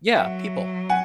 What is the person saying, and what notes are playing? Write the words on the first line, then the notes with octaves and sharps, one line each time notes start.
Yeah, people,
F#3 E5 F#5
F#5 G#5